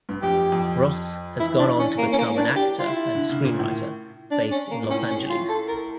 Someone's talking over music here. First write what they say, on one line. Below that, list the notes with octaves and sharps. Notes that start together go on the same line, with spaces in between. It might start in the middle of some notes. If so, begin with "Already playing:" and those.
Ross has gone on to become an actor and screenwriter, based in Los Angeles.
G2
F2 G4
F2
E3 E4
D4
C#4
A#3
C#4
A#3
D4
G4
F4
E4
D3
C#3
A#2
A2
D4
C#4
A#3
A#2
A2 C#4
C#4
F4
A4
A#4